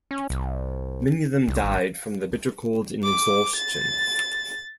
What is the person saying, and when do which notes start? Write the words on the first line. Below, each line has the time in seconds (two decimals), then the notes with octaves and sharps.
Many of them died from the bitter cold and exhaustion.
0.11 C#4
0.30 C2
1.48 C2
1.64 G#1
3.04 D6
3.56 A6